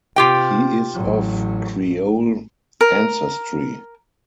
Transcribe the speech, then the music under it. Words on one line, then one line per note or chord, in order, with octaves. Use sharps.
He is of Creole ancestry.
C3 F4 G4 G5
A1 F#3
A#4